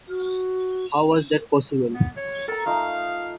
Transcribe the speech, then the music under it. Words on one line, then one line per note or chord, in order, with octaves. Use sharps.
How was that possible?
F#4
B3
C#5
A4 A#4 A#5
A3 D#4 F4 F5